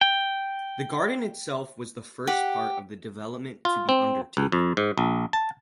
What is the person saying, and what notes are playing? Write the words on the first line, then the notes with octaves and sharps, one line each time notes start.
The garden itself was the first part of the development to be undertaken.
G5
G4 F#5
F4
C4
C#2
F2
G#2
A#1
A5